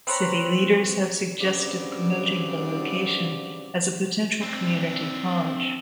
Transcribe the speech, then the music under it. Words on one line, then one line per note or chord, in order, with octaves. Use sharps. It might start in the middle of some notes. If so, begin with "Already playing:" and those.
City leaders have suggested promoting the location as a potential community college.
C4 B4 C#5 A#5
G2 C#3 C4 D4 F#4 D5
C4 D4